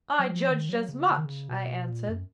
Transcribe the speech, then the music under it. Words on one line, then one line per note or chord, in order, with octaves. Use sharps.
'I judged as much,' I answered.
F#3
F3
D#3
F#3
C#3
C#3
D#3
C#3
B2
A#2
F#2